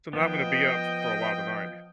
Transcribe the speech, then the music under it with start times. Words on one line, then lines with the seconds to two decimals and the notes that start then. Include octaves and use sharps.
so now I'm gonna be up f for a while tonight
0.13 F3 B3 D#5 G5